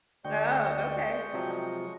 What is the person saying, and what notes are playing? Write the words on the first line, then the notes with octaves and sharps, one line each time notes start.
Oh, okay.
D2 G#3 D5 D#5 G5 C#6
C3 F3 F#3